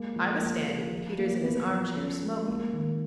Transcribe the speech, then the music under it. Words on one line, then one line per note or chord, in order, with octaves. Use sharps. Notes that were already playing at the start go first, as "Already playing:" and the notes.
I was standing; Peters in his arm-chair, smoking.
Already playing: G#3 A#3
F3
A#3
F3
F4
A#3
B3
F3
C#4
G#3
A#3
D#3